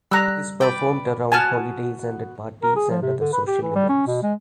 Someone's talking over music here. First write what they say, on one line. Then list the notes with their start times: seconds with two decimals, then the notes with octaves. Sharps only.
It is performed around holidays and at parties and other social events.
0.11 G3 A#5 E6 F#6
0.61 B4 D5 G5
1.32 B3 F#4 G#5 A5 F6
2.63 A#4
2.76 G#4
2.90 F3
3.02 C3
3.20 D3
3.33 B4
3.47 G4
3.62 E3
3.75 G3
3.89 C#4
4.07 B2
4.23 G#3